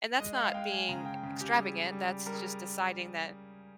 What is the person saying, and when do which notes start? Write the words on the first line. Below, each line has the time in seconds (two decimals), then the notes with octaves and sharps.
And that's not being e extravagant, that's just deciding that
0.20 G#3 D#5
0.37 F5
0.54 G#3 G5
0.72 G#5
0.89 C#3 A#5
1.06 G5
1.23 C#3
1.41 G4
1.57 G3 G#4
1.92 G3
2.26 G3 A#4
2.34 G#4